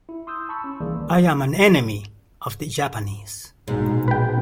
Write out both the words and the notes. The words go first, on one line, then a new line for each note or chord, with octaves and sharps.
I am an enemy of the Japanese.
E4
C6 D#6 E6 G6
A5 B5 C#6 E6
C#4
C2 D#3 E3 A#3 G#4 D5
A#1 G#2 B2
B4 G5